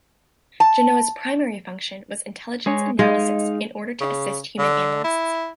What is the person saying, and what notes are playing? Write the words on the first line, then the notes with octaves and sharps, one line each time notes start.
Genoa's primary function was intelligence analysis in order to assist human analysts.
A5
G#3 G#4 C#5
G#3 D#4 F5
C#3
D3
E4